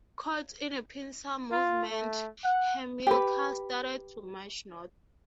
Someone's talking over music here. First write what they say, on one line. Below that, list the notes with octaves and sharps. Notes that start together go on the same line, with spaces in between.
Caught in a pincer movement, Hamilcar started to march north.
F4
A3
F#5
G4 B4